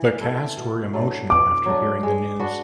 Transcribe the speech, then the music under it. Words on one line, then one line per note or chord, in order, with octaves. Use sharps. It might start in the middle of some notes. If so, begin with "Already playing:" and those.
The cast were emotional after hearing the news.
Already playing: E3
A3 E4 A4
B2
F#3 A3 D4
B2 D6
F#3 A3 D4
G#3
D4 F#4 B4